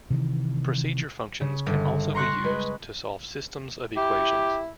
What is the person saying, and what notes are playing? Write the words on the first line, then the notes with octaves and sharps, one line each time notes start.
Procedure functions can also be used to solve systems of equations.
C3 D#3 E3
C#3
G1
A#5 C6 C#6 F#6 A#6
G#3 B4
E4 G4